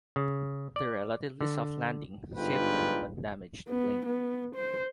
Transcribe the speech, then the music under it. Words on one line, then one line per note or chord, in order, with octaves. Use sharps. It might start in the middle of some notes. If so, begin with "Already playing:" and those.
The relatively soft landing saved them but damaged the plane.
C#3
D5
D3
G1 G#2 D4 F4 B4 G5
B3
B3
C5